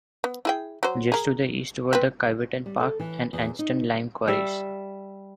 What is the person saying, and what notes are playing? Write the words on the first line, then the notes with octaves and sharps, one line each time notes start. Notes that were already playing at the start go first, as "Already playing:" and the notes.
Just to the east were the Kiveton Park and Anston lime quarries.
B3
E4 G#4 G5
F#3 C5
G#4 A#4
C4 B4
G3
A4
E3
E2
D#4
G3 E5